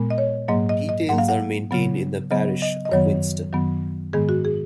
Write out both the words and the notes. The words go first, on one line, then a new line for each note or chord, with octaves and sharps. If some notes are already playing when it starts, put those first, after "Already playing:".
Details are maintained in the parish of Winston.
Already playing: A#2 G#3 B3
D#5
C#5
G#2 F#3 A#3 D#5
D#5
D#5
G#2 F#3 A#3 F#5
F5
F#5
C#3 F#3 B3
C#3 F#3 B3 D#5
D#5
D#5
F#2 D#3 F#3 B3 C#5
F#2 D#3 F#3 B3
G#2 D#3 G#3 B3 G#4
F#4
G#4